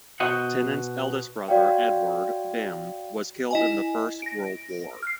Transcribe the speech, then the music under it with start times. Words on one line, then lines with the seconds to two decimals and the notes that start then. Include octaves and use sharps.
Tennant's eldest brother Edward - "Bim" - was killed in the First World War.
0.20 B2 F#4 C5 D#5 F#5
1.48 F#4 C#5 D5 F5 G5
3.51 E4 D#5 G#5
4.22 A#6 D7
5.03 F6 C7